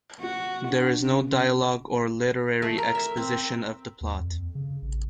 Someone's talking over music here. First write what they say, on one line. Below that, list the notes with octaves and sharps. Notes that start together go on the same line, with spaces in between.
There is no dialogue or literary exposition of the plot.
F#4
D4
C#3
A3
A#4
E5
C4
D#2
F2
C#3
A1